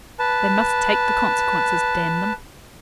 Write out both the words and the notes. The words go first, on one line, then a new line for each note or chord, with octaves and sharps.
They must take the consequences, d--n them!'
B4 A5